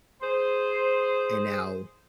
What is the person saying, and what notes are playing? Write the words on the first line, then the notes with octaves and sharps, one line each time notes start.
and now
G#4 C5